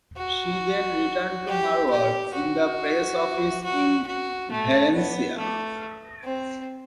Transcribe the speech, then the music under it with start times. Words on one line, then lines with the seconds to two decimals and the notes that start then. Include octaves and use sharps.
She then returned to her work in the Press Office in Valencia.
0.17 F#4
1.48 G4
1.90 G4
2.34 F#4
3.64 F#4
4.07 F#4
4.52 A3
4.94 B3
5.38 A3
6.24 C4